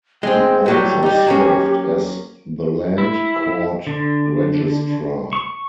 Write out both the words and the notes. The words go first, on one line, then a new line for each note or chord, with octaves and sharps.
He also served as the Land Court Registrar.
G#3 C4 G5
A2 F#3 G3 G4
G3 D#4
F#3 A#3 C#4
E4
D3
C#6